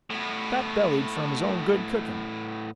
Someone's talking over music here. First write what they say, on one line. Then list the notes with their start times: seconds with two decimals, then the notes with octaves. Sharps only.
Fat-bellied from his own good cooking.
0.10 A2 B3